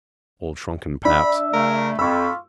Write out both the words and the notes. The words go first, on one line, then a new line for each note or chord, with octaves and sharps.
Old shrunken paps.
D4 E5 B5
C#3 A3 A#4
F2 F4 B5 C#6 E6